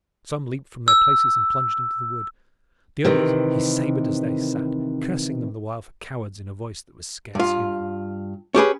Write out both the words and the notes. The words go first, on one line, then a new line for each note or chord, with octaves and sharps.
Some leaped from their places and plunged into the wood; the others he sabred as they sat, cursing them the while for cowards in a voice that was scarce human.
E6
C3 D#3 E3
G2 F4
C#4 G4 G#4 B4